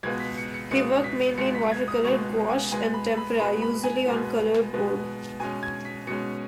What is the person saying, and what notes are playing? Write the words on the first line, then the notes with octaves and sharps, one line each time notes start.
He worked mainly in watercolor, gouache, and tempera, usually on colored board.
C#2 B2 G#3 B3 G#6
B6
C#7
C#7
C#2 B2 G#3 B3 C#7
B6
C#2 B2 G#3 B3 C#7
B6
G#6
D#6
C#2 B2 G#3 B3 C#6
G#5
B2 G#3 B3 G#5
B5
B5
B2 G#3 B3 B5
B5
G#5
B2 G#3 B3
B2 G#3 B3
B2 G#3 C#4 G#5
G#6
B6
B2 G#3 C#4 C#7